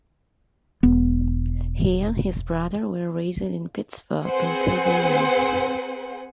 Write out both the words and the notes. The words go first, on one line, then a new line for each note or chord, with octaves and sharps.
He and his brother were raised in Pittsburgh, Pennsylvania.
E1 B3
C4 G#4 B4 C5 F#5 G#5